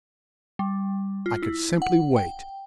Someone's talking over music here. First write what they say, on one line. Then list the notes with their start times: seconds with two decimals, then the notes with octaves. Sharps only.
I could simply wait.
0.59 G3
1.26 F4
1.42 E4
1.82 F#5
2.16 G5